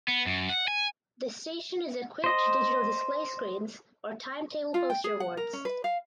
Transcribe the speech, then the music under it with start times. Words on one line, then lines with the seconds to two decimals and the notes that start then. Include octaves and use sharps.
The station is equipped digital display screens or timetable poster boards.
0.08 B3
0.26 F#2
0.49 F#5
0.68 G#5
2.24 C5 D#5
4.74 F4
4.90 G5
5.04 G#4
5.20 F#5
5.37 A#4
5.53 C#4
5.65 B4
5.84 F5